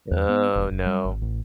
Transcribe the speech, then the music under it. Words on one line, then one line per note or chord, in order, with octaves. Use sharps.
Oh no.
E2
B3
E1
F#1
G3
G#1
A1